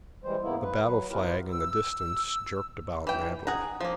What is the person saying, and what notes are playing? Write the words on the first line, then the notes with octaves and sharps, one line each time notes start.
The battle flag in the distance jerked about madly.
E3 G3 G#3 C5
G#2 C#3 A#3 B3 E4
B4
F#3 B4
B3 E4 F4 G4 A#4 B4
E6
E3 G5
G#4 F#5 A#5
F3 A#3